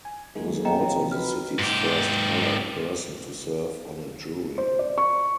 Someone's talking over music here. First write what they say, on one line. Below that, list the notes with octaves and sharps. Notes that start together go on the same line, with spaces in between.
He was also the city's first "colored" person to serve on a jury.
G#5
D#3 F#3 G#3 A#3 G#4
B2 D#5 G5 A#5
C3 E3 F3 C#5
F#4 B4 B5 F6
G#2 G4
C5
D5
C#6